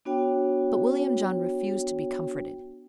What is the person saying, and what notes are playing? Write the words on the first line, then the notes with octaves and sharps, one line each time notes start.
But William John refused to be comforted.
B3 D4 F#4 C#5 G5